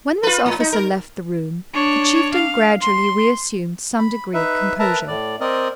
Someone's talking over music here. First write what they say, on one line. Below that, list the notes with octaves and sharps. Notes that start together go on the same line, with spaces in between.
When this officer left the room, the Chieftain gradually reassumed some degree of composure.
F4 B4
A2
D#4
A#4
D4 C#5
F5
C6
B5
D#4 B4 E5
A#4 B4 E5 A5 A#5
A2 D5
C4 A#4 D5 D#5